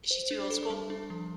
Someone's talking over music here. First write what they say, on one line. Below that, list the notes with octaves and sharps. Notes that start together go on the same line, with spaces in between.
Is she too old school?
C5
D4
A4
G3
D4
F3